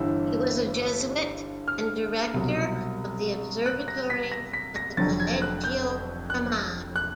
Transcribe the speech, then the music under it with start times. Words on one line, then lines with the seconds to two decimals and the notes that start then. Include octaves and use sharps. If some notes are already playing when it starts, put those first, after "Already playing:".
He was a Jesuit and director of the observatory at the Collegio Romano.
Already playing: G1 G2 E3 E6
1.68 F6
2.34 C2 B2 F#3
3.66 F#6
3.88 A#6
4.10 B6
4.32 A#6
4.53 B6
4.76 A#6
4.97 F1 F2 D3 F#3 A6
5.20 G#6
5.42 F#6
5.64 G6
6.30 F#6
6.96 F#6